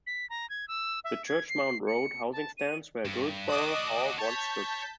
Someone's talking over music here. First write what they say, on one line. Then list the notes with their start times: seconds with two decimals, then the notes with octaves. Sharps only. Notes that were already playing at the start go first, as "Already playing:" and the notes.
The Church Mount road housing stands where Guilsborough Hall once stood.
0.07 B6
0.30 A#5
0.50 G#6
0.68 E6
1.04 E5
1.27 G#6
1.49 C7
1.87 C#7
2.32 A5
2.58 D#7
3.05 G2
3.48 D4 F#4 D#5 D6 D#6
4.19 C#5 A5 G6 B6